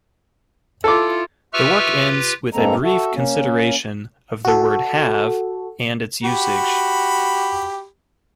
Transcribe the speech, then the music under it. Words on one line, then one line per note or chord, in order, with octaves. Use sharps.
The work ends with a brief consideration of the word 'have' and its usage.
E4 F4 A4 D6
F4 G4 B4 E5 C#6 F6
G2 G#3 A#3 C4 A4 A#5
F#4 A4 E5
A#3 C#4
F#4 A4
F#4 G4 B5